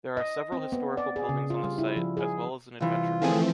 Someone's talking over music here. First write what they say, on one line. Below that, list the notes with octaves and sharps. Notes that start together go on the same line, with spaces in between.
There are several historical buildings on the site, as well as an adventure park.
D#5
C4
B3
D5
G#4
C#3
F4
G3
E4
F3
G#4
C2 E3 F4
D3 E3 F3 A3 C4 G#4